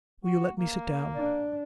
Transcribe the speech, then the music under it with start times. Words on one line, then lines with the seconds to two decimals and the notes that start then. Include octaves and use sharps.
Will you let me sit down?
0.25 F#4
0.59 A#3
1.16 D4